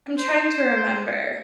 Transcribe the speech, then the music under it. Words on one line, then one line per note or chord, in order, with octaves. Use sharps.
I'm trying to remember.
C5